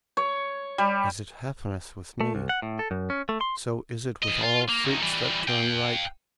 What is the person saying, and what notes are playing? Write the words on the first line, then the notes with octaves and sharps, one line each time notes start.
As it happeneth with me, so is it with all fruits that turn ripe.
C#5
G3
A3
C2
F#5
A2
A4
F#2
C#4
A3
C6
E3 D#5
F4
A#3
D2 D#3
E3 G3
F5 G5